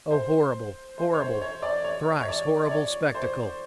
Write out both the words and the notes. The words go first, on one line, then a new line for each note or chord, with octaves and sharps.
Oh, horrible, horrible, thrice horrible spectacle!
C5
C5
C#5
C5
C#5
D5
C#5
C#5
D5
D5
C#5
C5